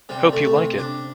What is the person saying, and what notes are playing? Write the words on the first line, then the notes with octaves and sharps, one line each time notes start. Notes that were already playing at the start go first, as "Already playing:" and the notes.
Hope you like it.
C3 G3
A3
C3
D4